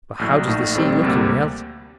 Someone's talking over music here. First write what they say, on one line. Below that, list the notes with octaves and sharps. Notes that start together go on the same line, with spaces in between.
But how does the sea look in reality?
A#1 A2 F#3
A#1 A2 A3 D#4
A#1 A2 G3 C4
D2 C3 G3 A#3